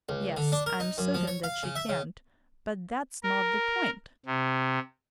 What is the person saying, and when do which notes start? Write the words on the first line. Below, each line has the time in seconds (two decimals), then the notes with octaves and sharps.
"Yes, I am certain that she can't, but that's not the point."
0.09 C#2
0.37 D3
0.52 D4
0.66 A#4
0.80 D#4
0.98 F#2
1.14 F3
1.27 C#5
1.44 F5
1.63 C#3
1.76 E5
1.89 C#3
3.23 A#4
4.26 C3